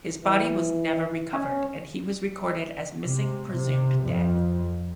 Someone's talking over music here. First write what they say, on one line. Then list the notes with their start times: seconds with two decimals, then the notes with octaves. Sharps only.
His body was never recovered and he was recorded as missing presumed dead.
0.23 E3
1.33 C#4
3.01 C3
3.54 C3
4.05 F2